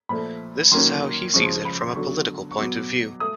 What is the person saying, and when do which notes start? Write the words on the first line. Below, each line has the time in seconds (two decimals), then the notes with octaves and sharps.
This is how he sees it from a political point of view.
0.09 A#2 F3 A3 B5
0.72 D#3 F#3 A#3 C#4 C6
1.34 C#3 F3 G#3 C#4 C#6
1.45 C6
1.65 B5
1.81 C6
1.96 D3 F#3 B3 C#6
2.51 C#6
2.58 B2 F#3 B3 D6
3.20 A3 D#6